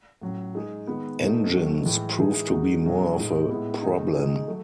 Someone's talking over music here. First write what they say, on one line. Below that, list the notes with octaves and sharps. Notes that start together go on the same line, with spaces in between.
Engines proved to be more of a problem.
A2 F#3 C#4
G#3 D#4 G#4
D#3 G#3 B3
B2 A3 D#4
D#3 F#3 A3
A2 E3 G#3
E3 G#3 D#4 G#4
G#3 D#4 F#4
B2 F#3 C#4 G#4
A2 G#3 D#4
A2 G#3 B3 E4
D#3 G#3 D#4
D#3 G#3 D#4 G#4
F#3 A3